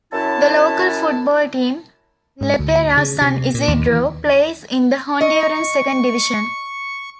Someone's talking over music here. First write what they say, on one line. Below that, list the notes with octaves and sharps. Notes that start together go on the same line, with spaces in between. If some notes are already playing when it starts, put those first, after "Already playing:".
The local football team, Lepaera San Isidro, play in the Honduran second division.
F#2 E4 A5
G#2
D2
C#3
C3
A#2
D#2
E3
D#5 C#6